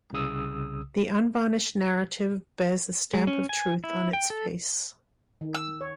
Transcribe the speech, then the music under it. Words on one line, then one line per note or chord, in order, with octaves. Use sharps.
The unvarnished narrative bears the stamp of truth on its face.
C2 C#3 D#6 E6
G#3
C#4
G#5
E4
G5
A4
D#3
E6
C#5